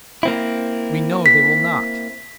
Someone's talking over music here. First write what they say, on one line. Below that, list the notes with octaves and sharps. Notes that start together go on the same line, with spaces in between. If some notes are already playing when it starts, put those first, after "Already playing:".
We know they will not.
A#3 C4 E4
B6